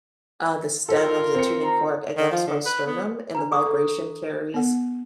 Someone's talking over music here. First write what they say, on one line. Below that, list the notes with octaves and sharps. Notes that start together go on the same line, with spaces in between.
uh, the stem of the tuning fork against my sternum and the vibration carries,
F4 A4 A#4
C4 C#7
A#5
D#3
F3
D3
B4
B3
D4 B4 A#5
G#4 C#6 D#6
A4
B3 F#5